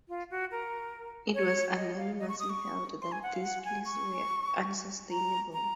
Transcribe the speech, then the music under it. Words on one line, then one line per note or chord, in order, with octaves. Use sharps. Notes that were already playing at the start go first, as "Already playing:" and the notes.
It was unanimously held that these pleas were unsustainable.
F4
F#4
A#4
C#5
D#5
F5
D#5
C#6
D#6
C#6
C6
G#5
F#5
F5
F#5
G#5
C#6
A#5
A#5